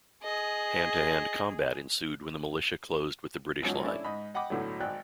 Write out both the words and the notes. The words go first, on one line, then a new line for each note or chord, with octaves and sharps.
Hand-to-hand combat ensued when the Militia closed with the British Line.
G#4 D#5
G#1 G#2 F3 F#3 C#4 F#5
A3 C#4 D4 E4
G#2 D#5 B5
D#5 F#5 G5 B5 D6
B1 A2 D3 F#3
G#1 D5 G5 F#6